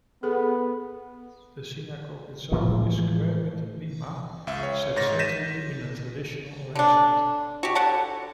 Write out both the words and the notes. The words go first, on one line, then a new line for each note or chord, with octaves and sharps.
The Synagogue itself is square with the Bimah set centrally in a traditional arrangement.
B3 G#4 A4
A2 E3 F3 G#3
C#2 E5
C#5
G#2 C#5 A6 A#6
G6 A#6 B6 D#7 E7
D3 D4
F#4 G4
D3 F#5 A5